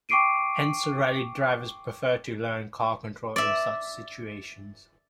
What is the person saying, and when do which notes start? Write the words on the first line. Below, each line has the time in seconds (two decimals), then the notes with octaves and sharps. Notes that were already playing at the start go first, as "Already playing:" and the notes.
Hence, rally drivers prefer to learn car control in such situations.
0.09 G5 C#6 D6 C7 D7 D#7
3.36 D5 E5